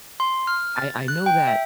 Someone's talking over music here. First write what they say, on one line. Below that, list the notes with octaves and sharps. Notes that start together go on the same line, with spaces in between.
I I know that,
C6
F6
A6
F#6
G5
E5